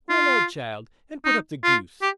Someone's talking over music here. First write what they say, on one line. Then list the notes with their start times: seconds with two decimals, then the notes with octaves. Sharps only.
Run out, child, and put up the goose.'
0.09 F4
1.25 D#4
1.64 F4
2.02 G4